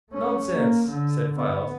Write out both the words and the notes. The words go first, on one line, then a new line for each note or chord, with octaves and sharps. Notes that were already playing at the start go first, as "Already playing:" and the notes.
"Nonsense," said Files.
A3 C#4
A#3
D3
B3